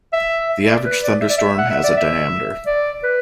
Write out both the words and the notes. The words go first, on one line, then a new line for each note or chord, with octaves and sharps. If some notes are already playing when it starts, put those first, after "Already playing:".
The average thunderstorm has a diameter.
E5
E5
D5
B4
D5
E5
D5
E5
F#5
E5
D5
E5
D5
B4